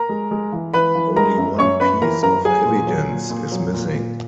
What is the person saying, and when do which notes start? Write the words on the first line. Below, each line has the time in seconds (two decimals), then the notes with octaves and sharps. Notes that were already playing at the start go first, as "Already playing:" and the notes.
Only one piece of evidence is missing.
Already playing: A#4 A#5
0.09 G#3
0.31 G#3
0.52 E3
0.74 E3 B4 B5
0.95 E3
1.16 G#3 A#4 A#5
1.38 F#2
1.59 F#2 C#5 C#6
1.80 F#2 B4 B5
2.02 E3 A#4 A#5
2.23 F#2 A#4 A#5
2.45 F#3 G#4 G#5
2.66 A#2
2.87 F#3
3.08 A#2
3.30 A#2
3.52 F#3
3.73 A#2
3.95 A#2